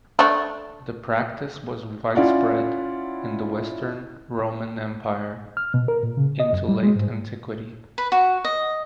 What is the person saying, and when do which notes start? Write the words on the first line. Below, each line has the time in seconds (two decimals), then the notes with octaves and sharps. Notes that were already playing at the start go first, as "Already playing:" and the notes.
The practice was widespread in the Western Roman Empire into late antiquity.
0.19 A3 D4
2.15 C#4 E4 F4 D5 F5 F#5
5.57 F6
5.74 B2
5.88 A#4
6.03 A#2
6.17 C#3
6.40 D#5
6.53 F#2
6.68 G3
6.83 G#3
6.95 G#2
7.98 B4
8.12 F#4
8.45 D#5